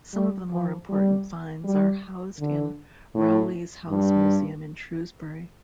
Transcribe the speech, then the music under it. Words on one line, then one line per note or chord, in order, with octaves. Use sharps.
Some of the more important finds are housed in Rowley's House Museum in Shrewsbury.
G3
F3
G3
G3
D3
A2
G2